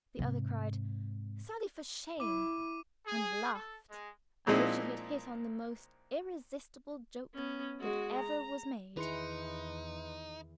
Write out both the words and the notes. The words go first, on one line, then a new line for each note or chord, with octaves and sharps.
The other cried, "Sally, for shame!" and laughed, as if she had hit on the most irresistible joke that ever was made.
G#2 C3
E4 D6 D#7
G#4
A4
G#3
A#2 F3 G#3 C4 D#4 E4
B3 C#4
G#3 F#4
A#5
E2 D#3 D#4 E4 G#4 B4 C6 C#7